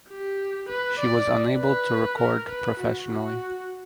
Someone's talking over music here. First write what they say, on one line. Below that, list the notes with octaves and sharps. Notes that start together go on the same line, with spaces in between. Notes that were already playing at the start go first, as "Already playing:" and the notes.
She was unable to record professionally.
G4
B4
D5
B4
A#4
B4
F#4
F#4